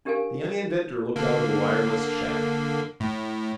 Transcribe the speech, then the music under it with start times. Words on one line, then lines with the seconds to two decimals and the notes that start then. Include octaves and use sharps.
The young inventor looked out of the wireless shack.
0.05 C#4 D4 G4 A#4 F5 G#5
1.16 D3 A#3
3.00 A2